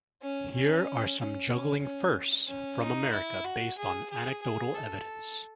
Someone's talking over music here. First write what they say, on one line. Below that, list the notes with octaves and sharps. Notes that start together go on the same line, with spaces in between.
Here are some juggling "firsts" from America, based on anecdotal evidence.
C#4
C#4
C#4
C#4
C#4
C#4
D#4
E4
F#4
G#4
G#4
G#4
A4